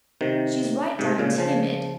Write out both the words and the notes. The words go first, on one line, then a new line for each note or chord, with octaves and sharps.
She's right down timid.
C3 D#3
G#2 C3
A#2 C#3
C#3 F3